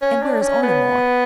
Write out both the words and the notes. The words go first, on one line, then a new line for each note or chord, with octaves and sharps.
"And where is Oranmore?"
C#4
D4
C#4
B3